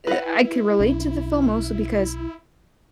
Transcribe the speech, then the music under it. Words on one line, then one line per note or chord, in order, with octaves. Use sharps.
eh, I can relate to the film mostly because
E4 B4 F#5
B1 C#4 D4